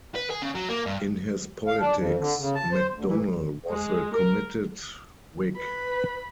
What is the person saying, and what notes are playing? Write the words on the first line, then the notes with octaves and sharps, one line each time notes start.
In his politics McDonnell was a committed Whig.
B4
G#4
C#3
F#3
A#3
G2
F5
D4
F2
D3
C#3
A5
C5
D2
E3
G#3
A#4
B4 B5